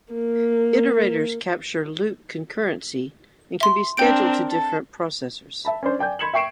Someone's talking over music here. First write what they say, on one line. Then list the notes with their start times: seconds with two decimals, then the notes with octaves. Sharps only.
Iterators capture loop concurrency and can be scheduled to different processors.
0.13 A#3
3.61 E5 C6
3.97 C4 D4 A#4 G5 G6 D7
4.46 A4
5.65 E5 A5 B5
5.83 C#4 D4 C5
5.99 D5 G5 G#5 G6
6.19 B5 C6 G#6 C#7 E7 F#7
6.33 E5 G5 C#6 C7 D7 E7